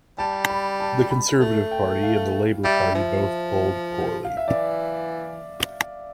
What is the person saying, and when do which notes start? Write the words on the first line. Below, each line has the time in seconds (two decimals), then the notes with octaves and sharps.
The Conservative Party and the Labour Party both polled poorly.
0.19 G3 A5
0.50 B5
0.80 A5
1.11 B5
1.41 A3
1.71 G5
2.03 F5
2.64 G3 E5
2.95 F3
4.25 F5
4.37 E5
4.48 E3 D5